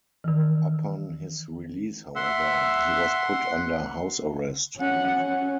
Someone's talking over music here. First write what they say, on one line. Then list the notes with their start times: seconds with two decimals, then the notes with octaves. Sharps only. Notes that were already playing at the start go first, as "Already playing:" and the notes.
Upon his release however, he was put under house arrest.
0.24 D#3 E3
2.16 E5 F#5 C6
4.77 C#4 F#5
5.15 C#4